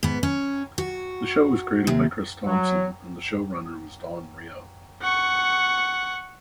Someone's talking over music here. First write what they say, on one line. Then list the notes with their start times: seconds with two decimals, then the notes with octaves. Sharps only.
The show was created by Chris Thompson and the show runner was Don Reo.
0.03 G#2 B3
0.23 C#4
0.78 F#4
1.87 D#2 C3
2.46 F#3
5.02 F#5 C#6